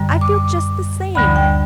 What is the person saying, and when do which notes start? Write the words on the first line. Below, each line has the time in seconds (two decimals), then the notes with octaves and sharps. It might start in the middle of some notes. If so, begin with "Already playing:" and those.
I feel just the same.
Already playing: F#2 D3 G3
0.21 D6
1.15 D2 D3 G3 B5
1.36 G5